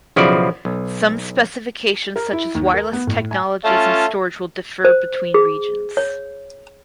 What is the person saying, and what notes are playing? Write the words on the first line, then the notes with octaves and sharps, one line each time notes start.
Some specifications such as wireless technologies and storage will differ between regions.
B1 C#3 F3 E4 F#4 D5
B1
A#4
E4
D#2
A#4
B3
A2
G#5
A3 C#4 F4 A5
C5
G#4
C#5